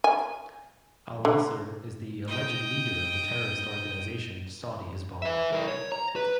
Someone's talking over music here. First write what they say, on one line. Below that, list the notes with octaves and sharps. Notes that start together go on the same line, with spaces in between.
Al-Nasser is the alleged leader of the terrorist organization, Saudi Hizballah.
G#5
D3
D#5 G5
B4 E5
E4 A#4
C#5
A#5
B4